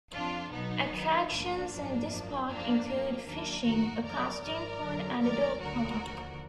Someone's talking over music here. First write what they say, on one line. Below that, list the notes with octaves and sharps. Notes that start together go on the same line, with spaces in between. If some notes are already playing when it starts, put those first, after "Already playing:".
Attractions in this park include fishing, a casting pond, and a dog park.
F2 F3 D4 F4
B1 B2 F#3 B3 D#4
F#2 D#3 F#3
A#1 G#2 F3 A#3 D4
G#1 F#2 F3
F#2 F3
F#2 F3 A#3 D4
F#2 F3 A#3
D#2 D#3 F#3 A#3 D4
G#1 F#2 D#3 F#4 A#4
F2 D3 F#3 A#4 D5
G#1 G#2 F3 A#4 D5
F2 D3 F#3
F#2 D#3 F#3 A#4 D5
D2 D3 F#3 F#4 A#4
D#2 D3 F3